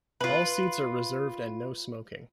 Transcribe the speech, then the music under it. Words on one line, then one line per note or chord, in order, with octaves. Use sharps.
All seats are reserved and no-smoking.
F4 B4